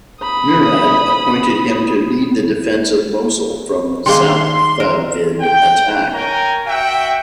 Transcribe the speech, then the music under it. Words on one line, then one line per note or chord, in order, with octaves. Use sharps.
Murad appointed him to lead the defense of Mosul from Safavid attack.
B5 D#6
D#3 G#3 A#3 C6
A#4
G5
A#4 C#5 G5 G#5 A#5
F#4 E5 F#5 G5